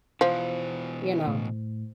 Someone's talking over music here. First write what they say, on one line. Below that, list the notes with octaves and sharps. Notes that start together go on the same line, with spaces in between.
you know,
B2 E3 F3 C5
A2